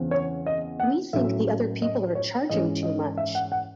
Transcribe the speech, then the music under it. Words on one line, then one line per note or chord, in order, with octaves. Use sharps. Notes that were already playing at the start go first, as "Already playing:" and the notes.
We think the other people are charging too much.
Already playing: E2 C#3 E3 C4
C#5
D#5
F#5
A2 F#3 C#4 E5
D#5
C#5
G#2 E3 G#3 C#4 D#5
D#5
E5
F#5
F#5